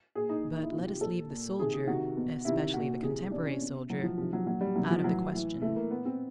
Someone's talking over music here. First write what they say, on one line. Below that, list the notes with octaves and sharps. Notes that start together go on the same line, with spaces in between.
But let us leave the soldier, especially the contemporary soldier, out of the question.
A#2 G#4
D#4
A#2
D#4
E4
C3 D#3 F4
G4
A#2 A4
A#2
C3 D#3 G#4
G#4
C3 D#3 F#4
B2
C3 D#3 E4
A#2 F#4
C3 E3 G#4
C3 E3 D4
C#4
B2
A2 E3 F#3
F3
C3 D#3 F3
F#3
A#2 F#3
G3
C3 D#3 F#3
F3
A2 E3 F#3
A2 E3
A2 E3 A3
A#3
A#2 B3
C4